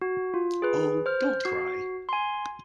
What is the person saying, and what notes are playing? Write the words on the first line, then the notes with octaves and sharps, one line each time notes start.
Oh, don't cry!
F#4
F4
G#4 B4
C5 F6
F#4 C7
G#5 C6